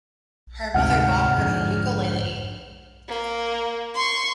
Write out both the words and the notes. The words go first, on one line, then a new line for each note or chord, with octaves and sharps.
Her mother bought her a ukulele.
D2 G#2 C3 F#5 F6
F2 G#2 D3
A#3
C6 C#6